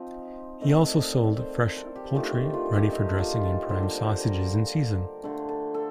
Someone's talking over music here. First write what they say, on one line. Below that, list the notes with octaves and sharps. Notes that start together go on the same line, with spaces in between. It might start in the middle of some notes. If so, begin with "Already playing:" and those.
He also sold fresh poultry ready for dressing and prime sausages in season.
Already playing: F3 C4 D#4
D#3 A3 C4 D#5
D5
D5
C5
A#4
A4
G4
D#3 A3 D4 F4
F4
F4
A4
G4
D#4
F4
A4
D3 G3 A#3 C5
A#4
C5
A#4
D3 A3 D4 A4
A4
A4